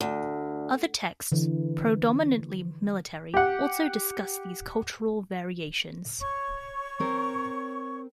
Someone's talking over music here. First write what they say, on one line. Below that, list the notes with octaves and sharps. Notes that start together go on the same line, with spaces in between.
Other texts, predominantly military, also discussed these cultural variations.
D2
D3 E3
G4 F#5
C#5 C#6
C4 A#4